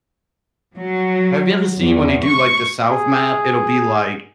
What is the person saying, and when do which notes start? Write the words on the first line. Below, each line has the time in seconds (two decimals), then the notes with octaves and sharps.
have you ever seen when they do, like, the South map? It'll be like,
0.76 F#3
1.79 E2
2.26 C#6
2.91 G#4